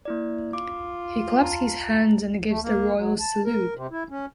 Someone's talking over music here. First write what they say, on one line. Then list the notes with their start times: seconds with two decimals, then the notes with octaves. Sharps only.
He claps his hands and gives the royal salute.
0.05 A#3 E4 D5
0.53 F4 D6
1.42 A5 A#5
2.48 A3
2.62 A#3
2.95 F#3
3.20 A5
3.44 A#4
3.75 C3
3.91 E4
4.10 C#4